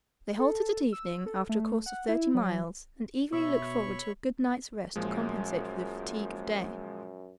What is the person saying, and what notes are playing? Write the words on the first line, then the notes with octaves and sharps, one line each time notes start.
They halted at evening after a course of thirty miles and eagerly looked forward to a good night's rest to compensate for the fatigue of day.
A4
E6
A4
A3
F#5
E4
F#3
B2 C#5 E5 B5 C#6
F#2 A#2 F3 G#3